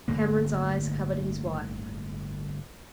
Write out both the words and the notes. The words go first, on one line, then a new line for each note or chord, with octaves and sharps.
Cameron's eyes covered his wife.
G1 A2 D3 A#3